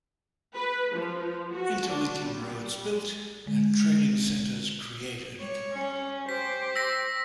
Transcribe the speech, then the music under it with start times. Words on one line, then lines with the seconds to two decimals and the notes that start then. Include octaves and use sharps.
Interlinking roads built and trading centers created.
0.55 B4
0.96 F3
1.52 F#4
1.89 D4
2.24 G3
3.46 D3 G#3
5.39 G3 C#5
5.73 C#4
6.29 G4 C5 B6
6.75 E6 A#6 B6